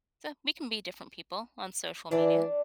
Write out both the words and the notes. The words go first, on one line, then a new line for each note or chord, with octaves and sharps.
So we can be different people on social media,
E3 D4 D5